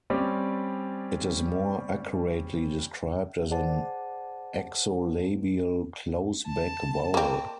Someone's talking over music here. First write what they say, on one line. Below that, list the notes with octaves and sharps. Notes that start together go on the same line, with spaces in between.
It is more accurately described as an exolabial close back vowel.
G3 C4 C#4 D5
G#4 C5 D5 F#5 A5
A5
A#3 C4